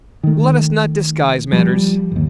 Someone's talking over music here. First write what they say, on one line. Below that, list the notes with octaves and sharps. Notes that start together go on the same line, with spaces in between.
Let us not disguise matters.
D#3 A3
F3 G3
G1 D#2